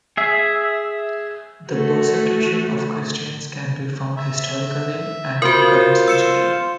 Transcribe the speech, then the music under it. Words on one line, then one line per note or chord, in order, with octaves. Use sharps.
The Persecution of Christians can be found historically and in the current century.
G#4 E5
A3 F#4
E5
F4 F#4 A#4 C5
E6 C#7 E7